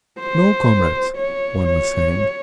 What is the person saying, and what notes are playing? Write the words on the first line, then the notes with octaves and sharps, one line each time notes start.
"No, comrades," one was saying.
C5
C#5
C#5